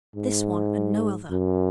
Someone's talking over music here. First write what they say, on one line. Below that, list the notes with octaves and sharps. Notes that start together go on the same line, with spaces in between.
This one and no other.'
G#2
F#2